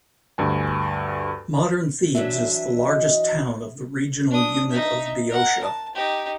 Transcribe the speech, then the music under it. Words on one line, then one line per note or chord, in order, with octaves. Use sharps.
Modern Thebes is the largest town of the regional unit of Boeotia.
D2 G2 G#5
E3 F#3 D4 E5
D#5
D4 D#6
D#4 E5
A#4 F#5
A5
D#4 G4